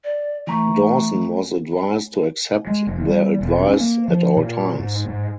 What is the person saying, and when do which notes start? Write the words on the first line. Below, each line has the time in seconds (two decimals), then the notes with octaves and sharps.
Dawson was advised to accept their advice at all times.
0.04 D5
0.47 E3 A3 A#5 C#6
2.67 G#3
2.87 F1
3.06 G3
3.41 E1
3.67 C#4
3.80 A#3
4.08 F3
4.37 A#2
4.80 G#2
5.08 G#2